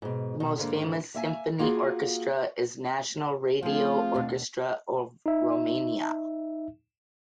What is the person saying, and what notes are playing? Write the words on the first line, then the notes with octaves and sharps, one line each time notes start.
The most famous symphony orchestra is National Radio Orchestra of Romania.
G#2 B2
B2 D#4
G#2 D3 A#3
A#3 E5 G#5
A#3 F4 F#4 G#4
F3 A3 C4 F4 G#4
D#2 B2 D4
D#4 E5